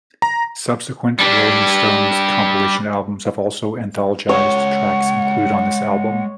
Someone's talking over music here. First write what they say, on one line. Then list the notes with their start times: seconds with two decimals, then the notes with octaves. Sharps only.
Subsequent Rolling Stones compilation albums have also anthologised tracks included on this album.
0.22 A#5
1.20 G3 D4
4.29 G#3 C#4 C#5 F#5